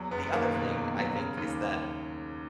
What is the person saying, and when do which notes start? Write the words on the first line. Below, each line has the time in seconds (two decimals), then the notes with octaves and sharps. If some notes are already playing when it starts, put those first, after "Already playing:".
The other thing I think is that
Already playing: E2 F#3
0.11 F#1 B3
0.33 D#3 A#3
0.53 B2
0.75 E2
0.96 F#3
1.16 C#3
1.37 D#2